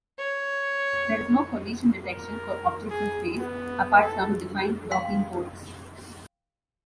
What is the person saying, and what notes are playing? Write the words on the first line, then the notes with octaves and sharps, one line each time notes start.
There is no collision detection for objects in space, apart from defined docking ports.
C#5
A#4
G#4
B3
A4
F5 G5 C6